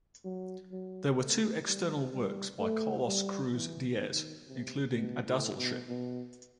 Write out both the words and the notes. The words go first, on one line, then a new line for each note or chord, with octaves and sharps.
There were two external works by Carlos Cruz-Diez, including a Dazzle Ship.
F#3
F#3
A3
G3
G3
A3
G3
E3
D#3
C3
B2
A2
B2
B2